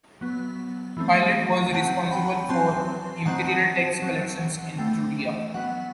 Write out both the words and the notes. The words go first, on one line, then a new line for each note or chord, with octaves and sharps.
Pilate was responsible for imperial tax collections in Judaea.
F#3 B3
E3 A3 C4
F#3 C4 F#5 A5
G5 B5
F#3 C4 A5 C6
D#3 F#3 C4 F#5 A5
F#3 C4
E3 A3 C4 G5
F#3 B3 F#5